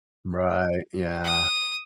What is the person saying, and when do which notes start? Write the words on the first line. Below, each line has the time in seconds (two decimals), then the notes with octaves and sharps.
Right, yeah.
1.24 D#6